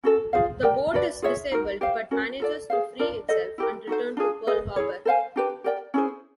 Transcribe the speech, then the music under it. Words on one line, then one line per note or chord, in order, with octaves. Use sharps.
The boat is disabled but manages to free itself and return to Pearl Harbor.
C#4 F#4 A4
F4 G#4 C5 F5
G4 A#4 D5 G5
D4 F#4 B4 D5
F4 G#4 C#5 E5
D#4 F#4 A#4
G4 C5 F5
C#4 F#4 A#4
F4 A4 D5
G#4 C5 F5
D4 F4 A#4 D5
A4 C5 D#5
E4 G4 A#4
D#4 F#4 A4 C5
D4 F4 G#4
G#4 B4 D#5
E4 G#4 C#5
A4 C5 F5 G#5
D4 G4 B4
G4 A#4 D5 G5
C#4 E4 G#4 C5